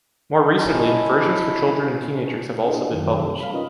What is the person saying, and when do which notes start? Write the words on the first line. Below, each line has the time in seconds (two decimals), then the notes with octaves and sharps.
More recently, versions for children and teenagers have also been published.
0.58 G#3 A3 C#4 E4
2.66 D4 E4 G#4 A#4 C5 D#5
2.91 F#2 D#3
3.17 C3 E3 G3 E4 A4
3.40 F5 B5
3.52 C#4 D#4 F4 A#4 B4 D#5